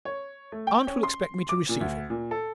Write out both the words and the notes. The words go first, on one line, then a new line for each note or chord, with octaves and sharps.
Aunt will expect me to receive him.
C#5
A3
G5
C#4
C6
D6
A#2
D2
A#2
A4